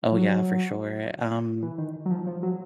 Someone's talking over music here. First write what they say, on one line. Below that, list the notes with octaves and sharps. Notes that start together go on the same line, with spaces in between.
Oh, yeah, for sure. Um,
F3
F#3
E3
D#3
F#3
F3
F3
F#3